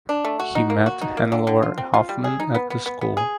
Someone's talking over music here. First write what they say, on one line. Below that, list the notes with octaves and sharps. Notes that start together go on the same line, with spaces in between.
He met Hannelore Hoffmann at the school.
D4
A3
F#4
D#4
A#3
F#4
D#4
A#3
D3
D3
F4
C4
F4
G3
G#4
D#4
B3
B3
B3
B3
G#4